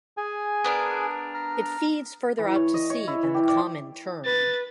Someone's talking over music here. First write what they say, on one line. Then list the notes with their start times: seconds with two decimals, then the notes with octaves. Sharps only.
It feeds further out to sea than the common tern.
0.17 G#4 G#5
0.64 B3 D4 A#4
1.34 A#5 F6
2.38 E3
2.56 C#5
2.74 D#5
2.90 C#5
3.08 E4
3.23 E3
3.34 G4
3.49 D5
4.25 B4 A6